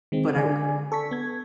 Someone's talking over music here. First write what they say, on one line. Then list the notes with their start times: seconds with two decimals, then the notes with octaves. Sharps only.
but, I
0.12 D#3 G#3 C4
0.36 D3 D5 G#5
0.92 A4 C#6 B6
1.11 B3 G#6